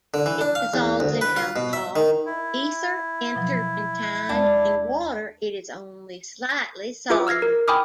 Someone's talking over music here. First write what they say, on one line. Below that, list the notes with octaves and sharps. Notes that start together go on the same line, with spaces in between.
It dissolves in alcohol, ether and turpentine; in water it is only slightly soluble.
D3
E3
D4
F5
E2
D2
B4
F4
B2
E5
D#3
E4
B2 F3 F#3
D#2 G#3 D4
F4 G#4 B4 E5 D6
E6 F6 G#6 A#6 C7
A#4
G5 G#5 B5 D6 D#6 F6